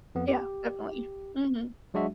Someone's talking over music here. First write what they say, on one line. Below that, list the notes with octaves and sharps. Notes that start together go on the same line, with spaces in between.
Yeah. Definitely. Mhm.
F2 B3
G4
F#3 G#3 D4 F#4 E5